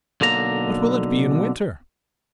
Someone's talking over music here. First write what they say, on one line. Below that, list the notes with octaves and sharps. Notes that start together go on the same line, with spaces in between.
"What will it be in winter?"
B1 D3 A#3 A#5